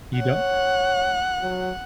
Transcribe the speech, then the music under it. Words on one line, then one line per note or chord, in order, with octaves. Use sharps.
You don't
C#5 F#5
F#3